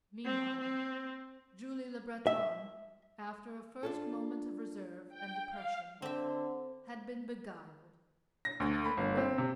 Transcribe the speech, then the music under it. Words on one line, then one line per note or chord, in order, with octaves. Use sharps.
Meanwhile, Julie Le Breton, after a first moment of reserve and depression, had been beguiled, carried away.
C4
C4
E5
D4 F4 A4
G5
F5
D3 C4 E5
A#6
D2
B5
G1
C4
C3